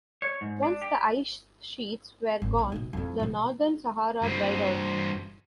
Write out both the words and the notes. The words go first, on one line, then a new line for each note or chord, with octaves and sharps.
Once the ice sheets were gone, the northern Sahara dried out.
C#5
G#2
D4
G4
G#1
B1
B2 D#4
F2 E4
B2 F3
G2 C4